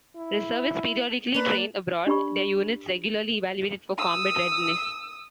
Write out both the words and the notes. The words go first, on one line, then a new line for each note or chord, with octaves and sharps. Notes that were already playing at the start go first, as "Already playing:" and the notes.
Reservists periodically train abroad, their units regularly evaluated for combat readiness.
E4
A#3 D4 B4
D4 G4 D5 B5 C#6
D#6 E6